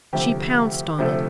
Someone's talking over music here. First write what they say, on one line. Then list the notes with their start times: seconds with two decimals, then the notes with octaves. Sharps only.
She pounced on it.
0.13 D2 C3 F3 A3 G4
0.98 D2 C3 F3 A3